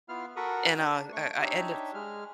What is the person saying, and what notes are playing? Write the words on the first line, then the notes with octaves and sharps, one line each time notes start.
and, uh, I I ended
B3 E4 F4 F5 F6
F#4 A4 A#4 B5 C#6 D#6
D4
A3 C#6
D4 D#4 G4 C#5 E5
G#3 F6